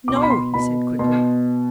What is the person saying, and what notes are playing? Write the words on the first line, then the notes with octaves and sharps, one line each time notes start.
"No!" he said, quickly.
B2 D6
C6
B5
C6
B2 B5
B2 C6